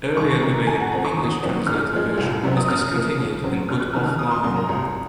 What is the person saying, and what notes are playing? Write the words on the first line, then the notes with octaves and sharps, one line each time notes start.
Earlier available English-translated version is discontinued and put offline.
C2 C#6
C3 D#3 A#5
F#2 G#5
F#5
F3 C4 A#5
C#6
D#2 D#6
D#3 F#3 C4
G#2 F6
F3 G#3
C2
C3 F#3 C4
D#6
F#2 F6
F3 A#3
D#2
C#3 F#3 C4
C#2 F6
F#6
C3 D#3 F6
F6
F2 D#6
C6
C3 F#3 A#3 C6
A#5
C2